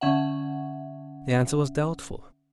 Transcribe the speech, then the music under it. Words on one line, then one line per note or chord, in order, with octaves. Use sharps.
The answer was doubtful.
D3 C#4 E5 F#5